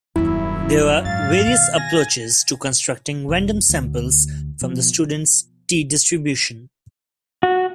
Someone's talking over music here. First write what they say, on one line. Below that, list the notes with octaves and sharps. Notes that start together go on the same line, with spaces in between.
There are various approaches to constructing random samples from the Student's "t"-distribution.
D#1 F#2 D#3 E4
G#2 F5 A6
B2 D#3
G#5 A#6
E1
D2
B2 F3
F#4